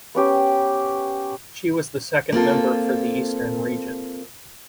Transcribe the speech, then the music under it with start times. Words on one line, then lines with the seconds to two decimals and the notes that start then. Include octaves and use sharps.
She was the Second Member for the Eastern Region.
0.15 B3 C#4 G4
2.32 A#3 C4 F4 A4